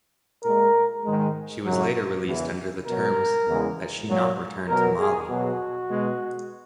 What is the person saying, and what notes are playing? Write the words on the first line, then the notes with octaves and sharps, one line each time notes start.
She was later released under the terms that she not return to Mali.
A#2 G#3 A#4
G#2 D#3 G#3
F#2 C#3 F#3
E2 C#3 E3
B2 F#3 A#4
E2 C#3 E3 G#3
A#2 F#3
B2 F#3 A#4
G#4
B2 F#3 F#4
B2 G#3